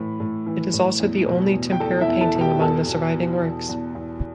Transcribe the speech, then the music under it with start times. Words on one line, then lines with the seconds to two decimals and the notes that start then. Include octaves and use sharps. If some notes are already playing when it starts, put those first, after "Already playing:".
It is also the only tempera painting among the surviving works.
Already playing: A2 E3 B5
0.20 A2
0.46 E3
0.73 A2
1.00 E2
1.27 B2
1.54 E2
1.72 G5
1.80 E2 A4 A5
2.01 E4 E5
2.08 E2
2.21 A4 A5
2.35 B2
2.41 G4 G5
2.61 E2 A4 A5
2.88 B2
3.15 B2
3.42 E2
3.69 E2
3.95 E2